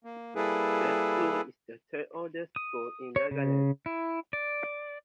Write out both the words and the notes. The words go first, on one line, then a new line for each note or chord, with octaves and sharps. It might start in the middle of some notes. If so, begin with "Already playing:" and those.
The school is the third oldest school in Nagaland.
A#3
G3 A#3 E4 G#4 A4 B4
D#6
C#5
C#3
E4
D5